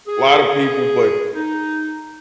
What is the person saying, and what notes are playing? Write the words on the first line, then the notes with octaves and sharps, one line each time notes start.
lotta people but
G#4
D#4